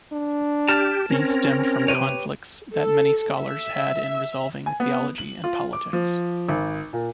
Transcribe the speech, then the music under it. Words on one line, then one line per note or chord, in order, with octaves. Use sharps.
These stemmed from conflicts that many scholars had in resolving theology and politics.
D4
G4 A5 F6
C4 C#4 A#4
C3 G4 B4 C#5
A4
E5
G#5
B3
F#7
F4
D6
F3
G#1
A#2